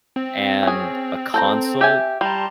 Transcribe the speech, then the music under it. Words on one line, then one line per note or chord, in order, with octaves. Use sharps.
and a console,
C4
C#4 G#4
A4 C5 A#5
G4 E5 G#5
G3 A5 A#5 C6